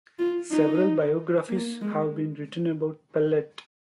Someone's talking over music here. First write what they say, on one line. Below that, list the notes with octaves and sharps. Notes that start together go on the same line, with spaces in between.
Several biographies have been written about Pellatt.
F4
D#4
A#3
G#3